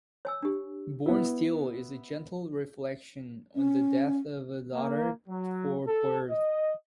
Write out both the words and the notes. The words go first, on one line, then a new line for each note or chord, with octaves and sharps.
"Born Still" is a gentle reflection on the death of a daughter before birth.
C#5 G#5 E6
D4 G4
B3 E4
C#4
A#3
F#3
A4
D#5